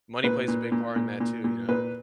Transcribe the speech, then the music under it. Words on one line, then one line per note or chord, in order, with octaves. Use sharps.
money plays a big part in that too, you know?
A#2 B4
A#2
A#2
A#2
A#2
A#2
A#2 B4